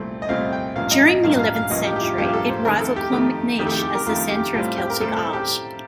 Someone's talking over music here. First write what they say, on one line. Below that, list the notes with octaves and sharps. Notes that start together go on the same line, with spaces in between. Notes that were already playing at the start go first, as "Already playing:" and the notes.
During the eleventh century, it rivaled Clonmacnoise as the centre of Celtic art.
Already playing: C2 A#2 A3 C4
D#5
C2 A#2 A3 C4 F5
G5
A1 G2 F3 A#3 F5
D#5
D#5
A1 G2 F3 A#3 F5
F5
F5
A1 G2 F3 A#3 D#5
G4
G4
F4
A1 G2 F3 A#3 G4
A4
C5
F2 D#3 A3 A#4
A4
G4
F2 D#3 A3
F2 D#3 A3 G4
A4
G4
G4
A#4
F2 D#3 A3 F4
G4
A2 G3 C4 F4
G4
A#4
A2 G3 C4 A4
A4
G4